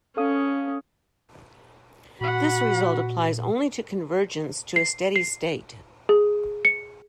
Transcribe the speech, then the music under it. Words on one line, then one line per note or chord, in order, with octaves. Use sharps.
This result applies only to convergence to a steady state.
C#4 A4 F5 D#6
A#2 F#4 F#5 B5
C7
C7
G#4
C#7